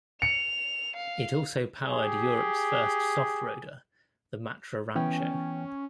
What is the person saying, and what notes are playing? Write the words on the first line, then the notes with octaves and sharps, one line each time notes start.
It also powered Europe's first soft-roader, the Matra Rancho.
C#7 F7
F5
G4 G#4
E3 B3 C#4 G5